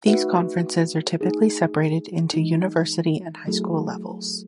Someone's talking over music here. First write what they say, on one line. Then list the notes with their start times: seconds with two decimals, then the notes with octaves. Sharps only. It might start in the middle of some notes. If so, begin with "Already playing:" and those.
These conferences are typically separated into university and high school levels.
0.07 A3 D#4 F#4 B4 E5
1.21 A3 D#4 G#4
2.34 E3 G#3 D#4
3.47 F#3 A3 E4 G#4